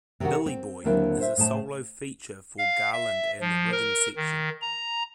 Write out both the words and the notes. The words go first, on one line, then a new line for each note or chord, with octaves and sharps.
"Billy Boy" is a solo feature for Garland and the rhythm section.
C3 D#3 F#4
C4
D#2 D3 F#3 A#3 C4 E4
C5 E5
A2 G#4 C5 A5
F5
E5
F3
A#4
D#3
A#5